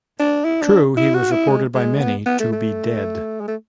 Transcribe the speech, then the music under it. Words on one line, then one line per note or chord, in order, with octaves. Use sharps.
True he was reported by many to be dead.
D4
E4
D4
E4
F#4
E4
G#3
G#3
B3
B3
A3
A3
G#3
A3